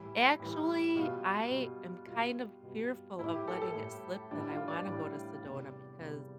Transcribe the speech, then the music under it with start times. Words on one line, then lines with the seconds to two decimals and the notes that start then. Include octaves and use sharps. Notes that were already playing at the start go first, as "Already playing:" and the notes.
actually, I am kind of fearful of letting it slip that I wanna go to Sedona because
Already playing: A2 E3 G3 E4
0.40 A2 E3 G3
0.95 B2 G3 F4
1.51 B2 G3
2.07 B2 G3 F4
2.63 B2 G3
3.19 A2 G3 E4
3.33 G4
3.48 A4
3.62 A4
3.74 A2 G3
4.31 A2 E3 G3 D4
4.49 F4
4.68 D5
4.87 A2 E3 G3
5.43 E2 C3 G3
5.99 E2 C3 G3